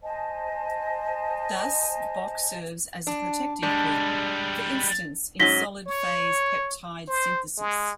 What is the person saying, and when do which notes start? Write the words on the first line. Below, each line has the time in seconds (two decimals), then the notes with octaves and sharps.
Thus, Boc serves as a protective group, for instance in solid phase peptide synthesis.
0.02 C5 D#5 G#5 A5
3.07 D4
3.63 G3 G#3 D4
5.39 G#2 F#3 C#4 A#6 B6 G7
5.87 C#5
7.08 C5
7.58 G#3